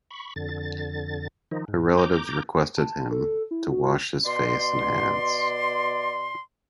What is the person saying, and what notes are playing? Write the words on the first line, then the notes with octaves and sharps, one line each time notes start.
Her relatives requested him to wash his face and hands.
B5 C#6
F2 D3 A6
D#3 F3 D#4
G#2
A#5 D6 G6
A5
A4
E4
F#4
B2 D5 C6